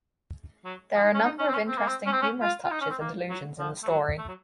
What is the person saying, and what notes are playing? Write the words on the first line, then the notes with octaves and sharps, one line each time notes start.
There are a number of interesting humorous touches and allusions in the story.
F#3
F3
D#4
C#4
D#4
C#4
C4
C#4
C4
A#3
C4
C#4
C4
C#4
F4
F4
D#4
C#4
C4
A#3
F#3
F3
A3
F#3
A3
F#3